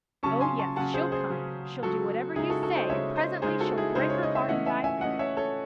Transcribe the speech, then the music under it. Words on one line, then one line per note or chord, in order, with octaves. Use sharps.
Oh, yes, she'll come! she'll do whatever you say, and presently she'll break her heart and die for you.
C#3 F#3 C#4 A5 C#6
G#5 C6
A5 C#6
C#3 F#3 C#4 F#5 A5
G#4 C5
G#4 C5
C#3 F#3 C#4
C#3 F#3 C#4 F#4 A4
C#3 G#3 D#4 E4 G#4
F#4 A4
F#4 A4
C5 D#5
C#3 G#3 D#4 C#5 E5
C5 D#5
C#3 G#3 D#4 G#4 C5
F#4 A4
E4 G#4
C#3 G#3 D#4 G#4 C5
C#5
D#5
E5
E3 A3 C#4 D#5 F#5
E5 G#5
E5 G#5
E3 A3 C#4 D#5 F#5
C#5 E5
A4 C#5